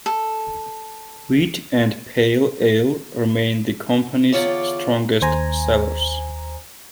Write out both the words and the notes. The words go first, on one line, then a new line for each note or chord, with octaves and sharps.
Wheat and Pale Ale remain the company's strongest sellers.
A4
E2 D3 F4 C#5 D5
D#2 C5 G#5 A#5